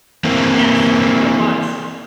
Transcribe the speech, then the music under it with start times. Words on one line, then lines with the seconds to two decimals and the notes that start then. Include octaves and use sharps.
Yes, it was.
0.24 E3 A#3 C4